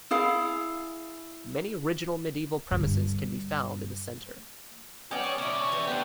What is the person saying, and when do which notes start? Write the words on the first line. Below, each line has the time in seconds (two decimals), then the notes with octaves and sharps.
Many original medieval premises can be found in the centre.
0.11 E4 G#4 F5
2.71 G2 D3
5.11 B3 C#4 G4 D5 D#5
5.23 C#5 D6
5.38 B2 C#4 D4 E4
5.60 C#6
5.72 E3 G4
5.87 A3 B3 D4 G4 C5